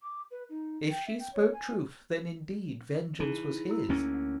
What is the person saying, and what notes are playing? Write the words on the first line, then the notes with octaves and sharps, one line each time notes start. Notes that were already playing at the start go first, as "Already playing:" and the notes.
If she spoke truth, then indeed vengeance was his!
D6
B4
D#4
G5
E5
G5
C#5
G#5
E3 D#4 E4 G#4
E4 E6
D2 A#3 C#4
F#5